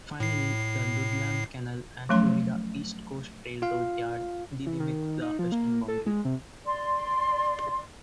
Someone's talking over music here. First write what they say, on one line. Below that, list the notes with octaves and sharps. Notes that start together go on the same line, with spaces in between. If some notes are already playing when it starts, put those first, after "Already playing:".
Finally, the Ludlam Canal and Florida East Coast Railroad Yard delimit the western boundary.
A2 C7
F3 F#3 A3 C#4 C6
F4 F5
E3
D#3
D#4
F3
A#3
A4
G#3
C3
D5 C6